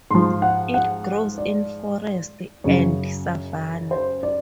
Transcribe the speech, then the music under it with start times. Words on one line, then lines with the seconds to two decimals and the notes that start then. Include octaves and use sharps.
It grows in forests and savannah.
0.11 G#2 F3 C6
0.42 F#5
0.74 F#5
1.38 D5
2.64 F#2 C#3 F#3 C#5
3.91 C5
4.23 D5